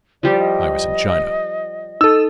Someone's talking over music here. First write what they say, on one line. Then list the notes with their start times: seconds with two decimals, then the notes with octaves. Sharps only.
I was in China.
0.23 F3 G3 G4 D5
0.39 D#5
2.01 D#4 A4 E6